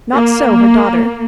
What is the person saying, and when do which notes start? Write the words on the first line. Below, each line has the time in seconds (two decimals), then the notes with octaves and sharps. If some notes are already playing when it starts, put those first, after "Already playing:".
Not so her daughter.
0.13 A#3